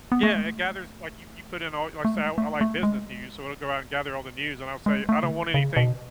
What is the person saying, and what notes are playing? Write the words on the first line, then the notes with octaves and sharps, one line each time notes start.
Yeah, it gathers like, you you put in all like, say, I I like business news, so it'll go out and gather all the news, and I'll say, "I don't want anything
B3
A3
G#3
A3
A3
G#3
A3
A3
G#3
G#3
A3
C#3
D#3
C#3
B2